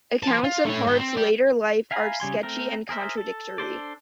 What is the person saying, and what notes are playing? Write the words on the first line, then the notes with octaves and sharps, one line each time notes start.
Accounts of Hart's later life are sketchy and contradictory.
C5 A5
F4
A3 C#5
G#2 G5
C4
D5 G5
E5 F5 G#5 A#5 B5
C#3 G3 G#5 C6
A3 C4 A#4
G#4 A#4 C5 E5
A4
D4 A4 C5 D5